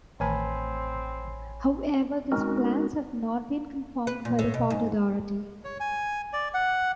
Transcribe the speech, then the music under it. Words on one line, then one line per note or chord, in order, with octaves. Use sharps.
However, these plans have not been confirmed by the Port Authority.
A1 D#3 A3 C4 C#5 G#5 A5 B5
G#3 C4 C#4 D#4 F#4 A#4
B4
A#2
A2
B2
G#2
C#5
G#5
D5
F#5